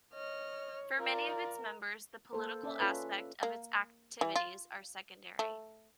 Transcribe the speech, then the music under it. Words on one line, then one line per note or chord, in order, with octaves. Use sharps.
For many of its members the political aspect of its activities are secondary.
C#5 D#5 F6
F4 A#4 D5
A#3 A4 C5
C#4 D5 E5
C#4 F4 A4 B4 C#5
A#3
E3
F4
A3